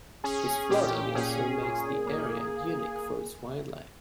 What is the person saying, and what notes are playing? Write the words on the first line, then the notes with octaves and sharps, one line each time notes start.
This flooding also makes the area unique for its wildlife.
C#4 G#4
A#2 G4
C#4 G#4
A#2
A#3